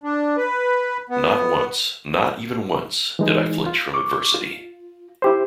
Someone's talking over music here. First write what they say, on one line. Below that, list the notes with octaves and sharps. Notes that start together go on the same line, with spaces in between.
Not once, not even once, did I flinch from adversity.
D4
B4
B3
E3 G#3 D#4
F4
C#6 D6
F4
E4 G4 C5